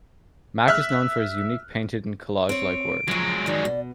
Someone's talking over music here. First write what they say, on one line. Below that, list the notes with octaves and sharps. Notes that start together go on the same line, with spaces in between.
Mack is known for his unique painted and collage-like work.
E5 F6 F#6
C4 C#5 D7
C#3 F3 F#3 G#3
D#3 F3 D5
B2